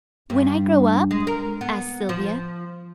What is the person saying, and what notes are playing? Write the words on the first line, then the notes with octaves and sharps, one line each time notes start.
"When I grow up?" asked Sylvia.
G2
G#3
A#4
B3
F3